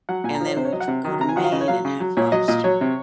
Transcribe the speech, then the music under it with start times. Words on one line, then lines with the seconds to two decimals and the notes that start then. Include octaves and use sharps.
and then we'd dr go to Maine and have lobster.
0.09 F#3 F#5
0.24 A#2 G#5
0.35 A#5
0.41 F3
0.46 C#5
0.57 C3 C5
0.65 C#5
0.73 F#3 D#5
0.80 F#5
0.88 C3
1.05 D#3 F#3
1.20 C3 A#5
1.29 G#5
1.36 D#3 F#3 F#5
1.44 F5
1.52 C#3 D#5
1.61 C#5
1.68 F#3 F5
1.85 C#3
2.01 F#3
2.17 A#2 C#5
2.32 F#3 D#5
2.48 A#2 D#5
2.64 F#3 C#5
2.81 C3